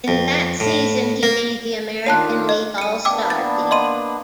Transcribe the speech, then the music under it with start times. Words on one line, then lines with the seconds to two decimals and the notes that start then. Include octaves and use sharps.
In that season he made the American League All-Star team.
0.08 F2
0.60 A2
1.23 A#3
2.06 D#3 D4 F4 C#5 A5 F#6
2.49 D#5
2.78 G3 C#7 D#7
3.05 A#3 B3 D4 G5 D6 E6
3.30 A6
3.71 D#5 C6 D#7